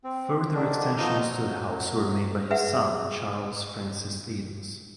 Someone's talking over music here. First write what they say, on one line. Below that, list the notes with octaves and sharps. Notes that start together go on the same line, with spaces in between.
Further extensions to the house were made by his son, Charles Francis Adams.
C4
D3 D#3 D4
B2 F3 D#4 F6 G6
F#3
F#3
G#4 B4 E5 F#5